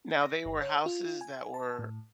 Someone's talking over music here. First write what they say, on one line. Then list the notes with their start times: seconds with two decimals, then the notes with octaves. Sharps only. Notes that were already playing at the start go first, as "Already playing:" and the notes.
Now, they were houses that were
0.23 A#6
0.46 G1
0.62 C#5
0.86 F4
1.21 G#5
1.54 A5
1.79 A2